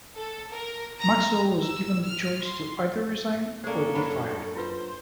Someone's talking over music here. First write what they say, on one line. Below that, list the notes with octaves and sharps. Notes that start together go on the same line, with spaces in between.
Maxwell was given the choice to either resign or be fired.
A4
A#4
A#5
E6
F6
C6
A#3 C#4 G#4 A4 C5 D5
F#2 D4 C5 B5
E4 F4 B4 C5